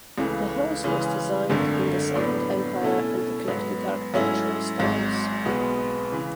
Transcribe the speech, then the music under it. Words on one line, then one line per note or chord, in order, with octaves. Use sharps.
The house was designed in the Second Empire and Eclectic architectural styles.
C#2 C#3 E3 A3
C#3 E3 G#3 C#4
G#1 F#2 D3 A3
A2 F#3 B3 D4
B2 A3 C#4 E4 A4
G#2 F#3 B3
G#2 F#3 A3 C#4 E4
G#1 G#2 F#3
B1 B2 G#3 B3 F#4
C#3 E3